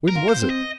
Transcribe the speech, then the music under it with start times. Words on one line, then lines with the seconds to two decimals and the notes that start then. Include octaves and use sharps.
When was it!
0.08 A#4
0.15 F4
0.28 C5
0.42 C4
0.49 D#5